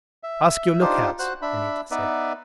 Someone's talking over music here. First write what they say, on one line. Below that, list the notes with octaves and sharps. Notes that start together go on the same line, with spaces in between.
"Ask your lookouts," Anita said.
E5
D4 D#4 F4 G4 C5
F#4 C5 F#6
D4 E5 B5
B3 D#4 B4 D5 E5